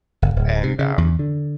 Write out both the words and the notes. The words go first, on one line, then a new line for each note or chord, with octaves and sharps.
and, um
F#1
D1
C3
C#3
E2
D3